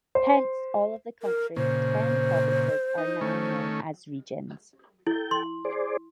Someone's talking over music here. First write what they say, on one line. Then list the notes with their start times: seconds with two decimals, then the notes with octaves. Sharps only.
Hence, all of the country's ten provinces are now known as regions.
0.15 C5
1.23 A#4
1.56 A#2 C#3 C5
2.98 D#4
3.21 D#3 A3 C#4
5.07 E4 A4 G5
5.31 C6
5.65 G#4 C5 D5